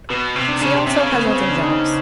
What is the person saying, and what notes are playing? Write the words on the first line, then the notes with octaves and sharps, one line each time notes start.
She also has other jobs.
B2 B3
C3
D4
C#3 D4
C3
C3 C#4
C#3
B3
C4
C#4
D4
D#4